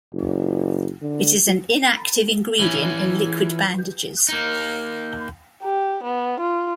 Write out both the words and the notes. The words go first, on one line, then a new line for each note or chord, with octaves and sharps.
It is an inactive ingredient in Liquid Bandages.
F#1
D3
E3 C#4
A#3 D#4
G4
B3
F4